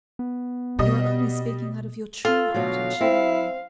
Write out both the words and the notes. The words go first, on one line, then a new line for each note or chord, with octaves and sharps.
You are only speaking out of your true-hearted chivalry.
B3
B2 G3 D#5
F4 A4
B2 D3 F#3 F5
C4 E4